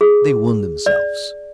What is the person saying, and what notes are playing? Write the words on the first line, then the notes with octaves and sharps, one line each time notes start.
They wound themselves.
G#4
D5